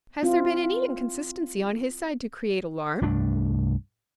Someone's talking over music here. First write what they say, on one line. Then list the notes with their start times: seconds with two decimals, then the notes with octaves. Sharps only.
Has there been any inconsistency on his side to create alarm?
0.23 C4 E4 F4
3.01 C2 G2 A3 D4